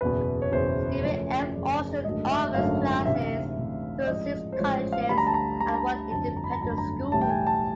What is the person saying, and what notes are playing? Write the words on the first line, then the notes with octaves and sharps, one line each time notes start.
Stephen F. Austin offers classes through six colleges and one independent school.
F#1 E2 B2 B4
C#5
F#1 E2 B2 C5
F#2 C#3 F3 A3 C#5
F#2 C#3 F3 A3 D5
G#1 F#2 D3 F#3 A3 D#5
E5
G#1 F#2 D3 F#3 A3 F5
D2 C3 E3 E5
F5
E5
D2 C3 E3
D5
A1 G#2 F3 G#3 D#5
C5
A1 G#2 F3 G#3 C#5
F5
D2 D3 G3 B5
A#5
A5
A#5
D2 D3 G3 A#5
A5
A#5
G1 F2 D3 F#3 A3 A5
A#5
B5
A#5
G1 F2 D3 F#3 A3 A#5
B5
A#5
B1 A2 E3 G3 A5
G5
G#5
A5